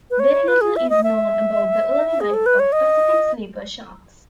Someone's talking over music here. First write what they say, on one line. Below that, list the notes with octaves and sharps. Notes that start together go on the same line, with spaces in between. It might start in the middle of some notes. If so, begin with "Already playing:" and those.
Very little is known about the early life of Pacific sleeper sharks.
B4
C#5
B4
G#4
E5
D#5
E5
G#4
A4
B4
C#5
D#5